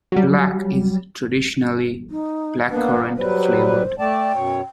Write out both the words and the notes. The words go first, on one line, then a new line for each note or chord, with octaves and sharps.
Black is traditionally blackcurrant flavoured.
F#3 G3
D#4
A#3 B3 D4 B4
F#3 G3 B4 C5
A3 D5 G5 A5
F#2 B2 C#5